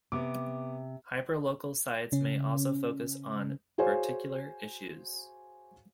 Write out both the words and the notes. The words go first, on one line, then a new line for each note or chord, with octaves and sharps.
Hyperlocal sites may also focus on particular issues.
C3 B3 D6
C#3 C#4
F#4 G#4 C5 C#5 F5 G#5